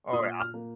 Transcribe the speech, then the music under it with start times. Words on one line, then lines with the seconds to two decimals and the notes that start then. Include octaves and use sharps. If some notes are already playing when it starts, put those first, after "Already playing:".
Oh, yeah.
0.13 A#2 D#6
0.40 F6
0.54 A#3